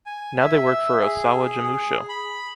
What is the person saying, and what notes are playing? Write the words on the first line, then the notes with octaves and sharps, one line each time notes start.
Now they work for Ohsawa Jimusho.
G#5
E5
G#4
G#4
B5